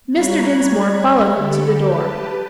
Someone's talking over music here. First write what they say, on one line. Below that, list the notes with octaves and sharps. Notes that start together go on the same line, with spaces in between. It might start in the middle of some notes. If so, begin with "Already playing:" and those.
Mr. Dinsmore followed him to the door.
G3 C#5 A#5 B5 F#6 G#6
D3 G4 A4 B5
G4 B4 A5